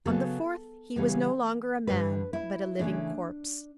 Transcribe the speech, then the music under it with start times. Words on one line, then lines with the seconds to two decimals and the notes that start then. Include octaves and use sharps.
On the fourth, he was no longer a man, but a living corpse.
0.05 C#3 F#3 B3 A4
0.96 C#3 E3 G3 B3
1.87 G2 D3 G3 B4
2.33 E4
2.79 C#3 E3 A3 C#4 D4